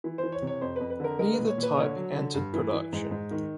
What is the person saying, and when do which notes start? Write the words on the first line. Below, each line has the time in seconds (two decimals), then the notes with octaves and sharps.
Neither type entered production.
0.04 E3
0.18 C5
0.24 E3
0.32 C#5
0.42 C3
0.47 C#5
0.61 F2 C5
0.76 F2 B4
0.90 B4
1.00 D3 A#4
1.19 G#3 A#4
1.33 A#2 B4
1.47 C#5
1.58 A#2 B4
1.77 D3 C#5
1.96 F#3
2.15 D3
2.34 G2
2.54 E3
2.73 E3
2.93 G#2
3.11 G#2
3.31 D#3